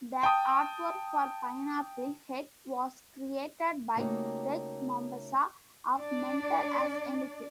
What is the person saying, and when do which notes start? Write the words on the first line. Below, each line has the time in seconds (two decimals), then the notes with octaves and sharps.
The artwork for "Pineapple Head" was created by Reg Mombassa of Mental As Anything.
0.23 G5 A5 D#6
3.96 C#3 A3 A#3 D#4 F#4 G4
5.98 D4 D5